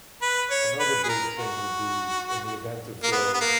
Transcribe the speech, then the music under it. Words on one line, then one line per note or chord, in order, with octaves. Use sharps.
another big thing would be in the event of failure,
B4
C#5
B4
G#4
A#4
F#4
A#3
B3
B3
A#3